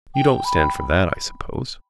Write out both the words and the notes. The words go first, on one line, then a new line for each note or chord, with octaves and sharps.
You don't stand for that, I suppose?
G5
B5